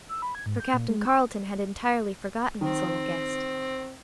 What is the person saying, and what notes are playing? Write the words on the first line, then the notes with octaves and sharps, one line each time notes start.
For Captain Carleton had entirely forgotten his little guest.
E6
B5
G#6
G#2
G6
A#2
G#3
C#6
D#3 C4